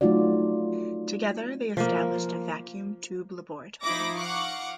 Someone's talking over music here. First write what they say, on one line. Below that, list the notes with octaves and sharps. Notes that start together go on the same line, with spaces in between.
Together they established a vacuum tube laboratory.
F#3 A3 D#4 F4 F#4 D5
F3 A#3
F3 D#4 E4 B5 D6 A#6
F5 F#5 C#6 D6